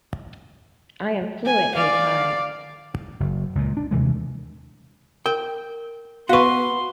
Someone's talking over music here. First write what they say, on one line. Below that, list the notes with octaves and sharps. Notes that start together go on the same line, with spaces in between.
I am fluent in Thai.
G#5
D5 F5
F#1
C#2 A#2
D4
D#2 C3 E3 G#3
A#4 G5
B3 F#4 B4 F5 C6 C#6